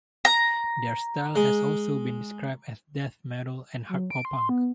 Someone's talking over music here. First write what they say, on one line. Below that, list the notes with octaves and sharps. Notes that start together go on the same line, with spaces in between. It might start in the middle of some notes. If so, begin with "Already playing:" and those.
Their style has also been described as death metal and hardcore punk.
A#5
G#3
F#3
D7
C6
B3